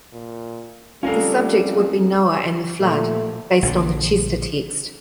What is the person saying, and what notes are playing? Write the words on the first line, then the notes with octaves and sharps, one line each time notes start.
The subject would be Noah and the flood, based on the Chester text.
A#2
F1 G3 C#4 F4 A4 A#4 F5
A#2 F3 A3
A#1 A#2 D3